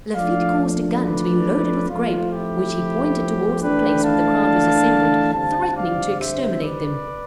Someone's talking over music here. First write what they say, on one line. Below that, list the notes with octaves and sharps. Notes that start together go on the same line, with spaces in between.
Lafitte caused a gun to be loaded with grape, which he pointed towards the place where the crowd was assembled, threatening to exterminate them.
F3 A3 D4 D5 F5
B4 D5
F3 A3 C4 F4
E4 G4
E3 A3 D4 G4 B4
F5 A5
D3 G3 C4 F5 A5
D5 F5
C5 E5
B4 D5